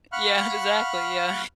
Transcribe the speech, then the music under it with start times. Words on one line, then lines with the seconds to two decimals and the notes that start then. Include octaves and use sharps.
Yeah, exactly, yeah.
0.12 F5 F#5 B5 C#6 F6 F#6